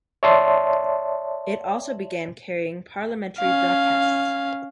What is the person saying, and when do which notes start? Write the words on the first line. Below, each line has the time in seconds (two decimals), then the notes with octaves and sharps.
It also began carrying parliamentary broadcasts.
0.23 C#5 D5 E5 A5 C6
3.39 C#4 F5